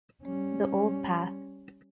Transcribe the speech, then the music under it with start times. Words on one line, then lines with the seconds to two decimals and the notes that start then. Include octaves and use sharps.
The old path.
0.23 G3 C#4